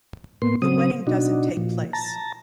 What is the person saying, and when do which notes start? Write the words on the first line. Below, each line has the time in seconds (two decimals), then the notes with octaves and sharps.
The wedding doesn't take place.
0.42 A2 A#3 B3 C6
0.62 C#3 F#3 C4 D#6
1.07 B2 D4 D#4 F#4
1.57 A#2 F3
1.93 A5 A#5